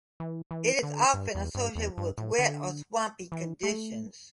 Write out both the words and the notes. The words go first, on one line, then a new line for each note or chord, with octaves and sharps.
It is often associated with wet or swampy conditions.
E3
E3
D3
G2
E2
G2
E2
G2
A2
D3
E3
A3